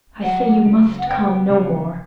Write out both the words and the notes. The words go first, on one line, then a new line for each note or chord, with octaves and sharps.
I say you must come no more.
F#3 F#5
C#3
F#5
B3 G5
C#3